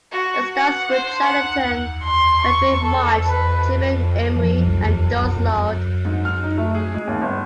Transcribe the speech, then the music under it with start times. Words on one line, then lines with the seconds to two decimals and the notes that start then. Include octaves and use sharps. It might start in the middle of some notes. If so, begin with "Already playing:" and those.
It stars Ruth Chatterton, Fredric March, Gilbert Emery and Doris Lloyd.
0.12 F#4
0.55 F#5
0.91 C5
1.23 F#5
2.04 C6
2.44 C#6
2.84 A4
3.26 B4
4.36 F3
4.67 C2
4.82 E2
5.05 D#1
5.21 B1
5.37 F2
6.05 G#2
6.25 F6
6.44 D#4
6.57 A3
6.75 G#4
6.94 G#3
7.07 D#2
7.22 G1